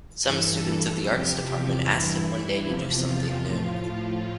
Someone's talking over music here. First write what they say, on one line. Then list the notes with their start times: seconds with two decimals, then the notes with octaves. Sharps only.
Some students of the Arts Department asked him one day to do something new.
0.22 G2 E3 A4
0.61 A4
1.02 E2 C3 F3 G4
1.82 G2 E3 E4
2.63 E2 C3 F3
3.04 F4
3.44 A2 F3